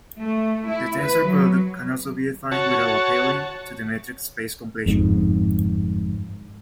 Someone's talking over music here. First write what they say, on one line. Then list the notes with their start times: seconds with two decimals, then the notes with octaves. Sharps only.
The tensor product can also be defined without appealing to the metric space completion.
0.20 A3
0.68 E4
1.00 B4
1.29 F#3
2.52 F#4 C#5 A5
4.86 G1 F2 G#2